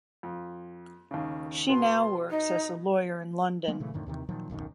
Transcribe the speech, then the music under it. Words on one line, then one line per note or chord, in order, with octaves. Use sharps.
She now works as a lawyer in London.
F2
D#2 C#3
B2 B3 B4 C6
D#4
F#3 G#3 A#3 B3
A#2 C#3 E3 A3
F2 A2 D3 D#3
D#2 C3 D#3 E3
A#2 D#3 F3 F#3
D1 B1 F#2 D#3